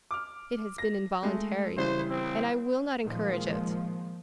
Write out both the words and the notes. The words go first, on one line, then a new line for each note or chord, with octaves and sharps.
It has been involuntary, and I will not encourage it.
D6 F6
A#6
G#3 A3
C#3 E3 G3 C5
C4
A#2 D#3 F3 G#3